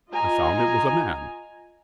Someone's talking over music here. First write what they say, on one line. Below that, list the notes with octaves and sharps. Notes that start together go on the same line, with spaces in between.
I found it was a man.
F4 D#5 G#5 A#5